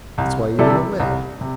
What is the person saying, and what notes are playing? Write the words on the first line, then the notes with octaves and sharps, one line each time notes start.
That's why he went away.
C2
C3 G3 E4 A4
C2
C3